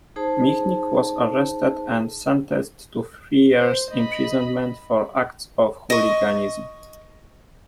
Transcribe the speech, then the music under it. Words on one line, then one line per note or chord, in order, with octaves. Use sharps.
Michnik was arrested and sentenced to three years imprisonment for "acts of hooliganism".
D#4 G#4 C5 A5
C5
D#5 B5
D#5 C#6